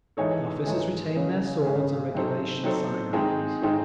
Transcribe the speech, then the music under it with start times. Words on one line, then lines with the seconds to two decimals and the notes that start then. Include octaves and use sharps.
The officers retain their swords and regulations side-arms.
0.17 E3 G#3 D#4 A4 C#5
0.66 E3 G#3 D#4 A4 C#5
1.15 C#3 G#3 C#4
1.65 C#3 G#3 C#4
2.15 F#3 C4 D#4 A4 C5
2.64 F#3 C4 D#4 A4 C5
3.13 D#3 G#3 C4 D#4 G#4
3.62 D#3 G#3 C4 D#4 G#4